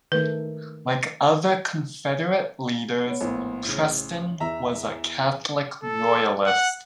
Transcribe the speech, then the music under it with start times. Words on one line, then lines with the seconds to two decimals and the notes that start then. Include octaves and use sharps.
Like other Confederate leaders, Preston was a Catholic Royalist.
0.12 D#3 A3 B4
3.06 B3 C#5
3.21 A#1 A2 A#3 B3
3.65 A2 C#3
4.40 E2 E5 A#5
5.83 A4
6.45 F#5